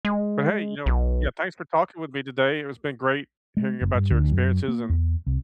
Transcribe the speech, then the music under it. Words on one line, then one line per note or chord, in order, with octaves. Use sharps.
But hey, you know yeah, thanks for talking with me today, it was been great hearing about your experiences, and
G#3
B1
G#3
F#1
G2
D2
F#2
A#3
E2
C2